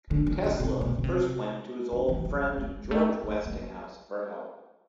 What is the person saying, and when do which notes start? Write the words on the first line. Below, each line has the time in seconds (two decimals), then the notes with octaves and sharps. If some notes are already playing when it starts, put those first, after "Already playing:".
Tesla first went to his old friend George Westinghouse for help.
0.11 D3
0.27 D#3
0.44 C#3
0.60 C3
0.81 B2
0.99 C#3
1.04 C3
1.92 D3
2.09 E3
2.25 F#3
2.41 G3
2.58 G#3
2.85 G#3
2.91 A3
3.24 A3
3.46 A#3